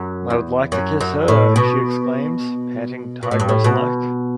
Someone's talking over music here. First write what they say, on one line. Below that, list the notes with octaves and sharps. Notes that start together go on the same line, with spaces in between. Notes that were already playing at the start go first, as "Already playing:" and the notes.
"I would like to kiss her!" she exclaims, panting tigress-like.
Already playing: F#2
E2
F#2
F#2
A2
B2
B2
A2
G2
A2
B2